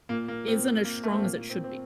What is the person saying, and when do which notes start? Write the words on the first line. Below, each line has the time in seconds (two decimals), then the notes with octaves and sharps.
isn't as strong as it should be.
0.09 A#2 A#3
0.28 A#3
0.48 C4
0.85 A#3
1.03 A3
1.14 C4
1.22 A#2 A#3
1.37 A#3
1.50 C4
1.64 C4